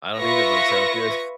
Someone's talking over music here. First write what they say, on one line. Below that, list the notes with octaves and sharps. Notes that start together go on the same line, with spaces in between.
I don't either, but it sounds good.
F4 B4 E5 C#6 A#6